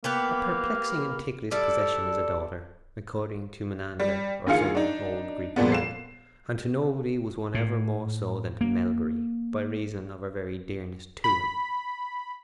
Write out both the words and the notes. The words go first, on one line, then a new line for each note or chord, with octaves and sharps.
"A perplexing and ticklish possession is a daughter," according to Menander or some old Greek poet, and to nobody was one ever more so than to Melbury, by reason of her very dearness to him.
A#3 B3 G4 B4
G3 E4 A4 D5
G3
D2 D#3 F4 G#4 F5 C#7
D4 D#4
A#2 F3 G3 G#3 B3
C7 E7
A2
A#3
B5